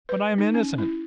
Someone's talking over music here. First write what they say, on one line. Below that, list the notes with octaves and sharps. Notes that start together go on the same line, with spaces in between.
"But I am innocent."
B4
D#4
C#4
E4